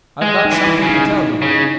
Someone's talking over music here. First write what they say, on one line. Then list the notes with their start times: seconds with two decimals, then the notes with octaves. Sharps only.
"I've got something to tell you."
0.22 G#3
0.45 D#4
0.52 E3
0.67 E4
0.82 C#3
0.89 D#4
1.12 D#4
1.42 C#3